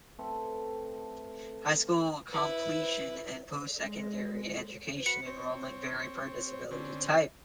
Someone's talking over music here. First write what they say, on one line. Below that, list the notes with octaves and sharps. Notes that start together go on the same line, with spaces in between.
High school completion and postsecondary education enrollment vary per disability type.
A3 C4 A4 B4
E4 B4
G#3
F#4 B4 C#7
C4 C#5
D3 C4 C#4